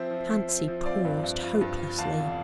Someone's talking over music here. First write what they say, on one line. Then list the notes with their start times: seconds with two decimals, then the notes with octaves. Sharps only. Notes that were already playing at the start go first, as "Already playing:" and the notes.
Fancy paused hopelessly.
Already playing: F3 C4 C5 E5
0.11 F3
0.30 F3
0.49 C4
0.68 F3
0.86 C4 D5 F5
1.05 G2
1.23 G2
1.43 F4
1.61 G2
1.80 F4
1.98 E2 F5 A5
2.18 F1